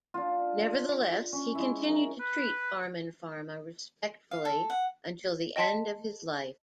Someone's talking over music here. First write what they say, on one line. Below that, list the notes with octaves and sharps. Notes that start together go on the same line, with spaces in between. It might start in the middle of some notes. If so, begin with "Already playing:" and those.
Nevertheless, he continued to treat Farman-Farma respectfully until the end of his life.
D4 F4
C#4
G#3 E4
A#4
B4
F5
A4
F#5
D#5 G5 A5 C6 B6